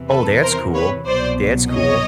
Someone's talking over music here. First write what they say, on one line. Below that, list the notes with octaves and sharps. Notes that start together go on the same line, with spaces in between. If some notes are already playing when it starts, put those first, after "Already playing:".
Oh, that's cool that's cool.
Already playing: E2 C3 E3
A4 B4
A#4 C5
B4 C#5
C2 B2 F#3 C5 D5
C#5 D#5